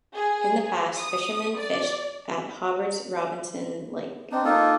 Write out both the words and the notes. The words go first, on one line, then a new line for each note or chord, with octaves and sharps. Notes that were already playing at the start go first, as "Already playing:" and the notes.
In the past, fishermen fished at Hobart's Robinson Lake.
G#4
D#6
D5
C4 D4 D#4
A#3 D#4 F4 A4